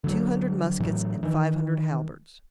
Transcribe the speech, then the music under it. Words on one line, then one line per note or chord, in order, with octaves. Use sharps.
"Two hundred muskets and five hundred halberds."
D3 F#3
A2 E3 F#3
D#3 E3